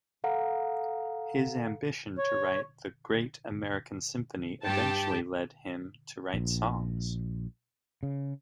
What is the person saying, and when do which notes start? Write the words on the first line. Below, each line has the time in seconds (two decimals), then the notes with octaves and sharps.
His ambition to write the "great american symphony" eventually led him to write songs.
0.24 A4 F5 F#5 A#5
2.18 C#5
4.64 G2 G4 G5 A5
6.34 A#1
8.03 C#3